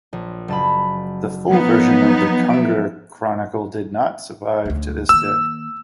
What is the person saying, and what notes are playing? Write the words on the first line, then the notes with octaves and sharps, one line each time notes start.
The full version of the Kungur Chronicle did not survive to this day.
A#1
F#1 A5 B5
F3 F#3 A#3 B3 D#4
E5 D7
D2 A3
D#3 A#3 E6